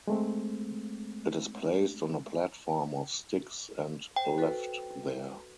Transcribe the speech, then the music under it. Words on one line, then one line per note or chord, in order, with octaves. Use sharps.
It is placed on a platform of sticks and left there.
G#3 A3 C4
C5 G5
F#4 A4 B4